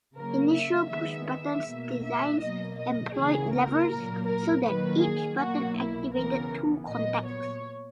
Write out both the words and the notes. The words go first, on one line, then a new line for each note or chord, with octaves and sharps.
Initial pushbutton designs employed levers, so that each button activated two contacts.
C#3 F#3 A#3 A#4
E5
D#3 G#3 B3 E5
E5
B2 A#3
E5
B2 F#3 A#3 D#5
D#5
C#3 E3 A#3 G#4
A#4
A#2 F#3 A#3
A#4
D#3 F#3 A#3 B4
G#4
B2 F#3 A#3 F#4
E4
C#3 E3 B3 A#4
A#2 F#3 B3 D#5
C#5